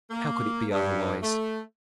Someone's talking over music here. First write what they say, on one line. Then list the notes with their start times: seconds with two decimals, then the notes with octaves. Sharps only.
How could it be otherwise?
0.11 A#3
0.71 G2
1.23 A3